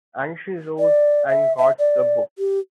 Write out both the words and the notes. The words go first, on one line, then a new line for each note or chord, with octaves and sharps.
And she rose and got the books.
D5
E5
E5
D5
G4